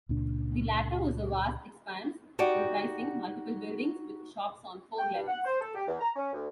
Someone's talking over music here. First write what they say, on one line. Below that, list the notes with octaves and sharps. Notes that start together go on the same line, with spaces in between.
The latter was a vast expanse, comprising multiple buildings with shops on four levels.
C#2 A#2 D4
D#4 F#4 G4 D5 F#5 G5
G5
G2
F#5
C5
A4
G4
E2
A#5
C#4
D2